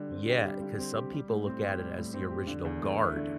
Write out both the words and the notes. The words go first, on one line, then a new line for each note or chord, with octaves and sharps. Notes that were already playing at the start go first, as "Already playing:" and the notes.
Yeah, 'cause some people look at it as the Original Guard.
Already playing: D3 G3
C4
G4
G3
D3
C4
G4
G3
A2
C4
G4
G3
A2
C4
G4
D3
E2
A3
E4
D3